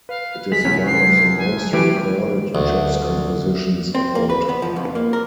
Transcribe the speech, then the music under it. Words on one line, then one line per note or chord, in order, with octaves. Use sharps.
It is one of the most recorded jazz compositions of all time.
B4 F5
G#3 B6
C2 C#4
F#3 C7
G#5
E3 A3 G4 B4 D7
D2
C4
A#3
B4
B3
F3
F2
A#3
A#4